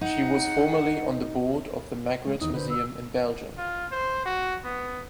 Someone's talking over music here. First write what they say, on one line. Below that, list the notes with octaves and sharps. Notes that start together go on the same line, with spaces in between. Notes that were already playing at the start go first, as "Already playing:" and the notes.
She was formerly on the board of the Magritte Museum in Belgium.
D#4 F#5
G#3
E2 D#3 D#4 D#6
D3 B4 C5
E6
F4
C5
F#4
B3